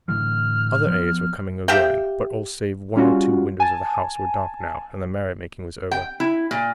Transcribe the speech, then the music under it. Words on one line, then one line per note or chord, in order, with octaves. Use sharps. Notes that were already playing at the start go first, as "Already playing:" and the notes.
Other aides were coming or going, but all save one or two windows of the house were dark now, and the merrymaking was over.
A2 D3 E3 F6
F3 B3
G4 E5 F5 G5
G3 C#4 F4 F#4
G#5 A5
G5
E4
A#2